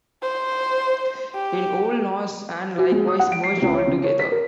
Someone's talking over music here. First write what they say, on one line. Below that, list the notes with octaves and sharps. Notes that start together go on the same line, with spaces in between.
In Old Norse, and likewise merged altogether.
C5
G4
F#4
G#3
D#6
F#5
D7
C7
C#2
C#5
C#3
C#5
B6
A#4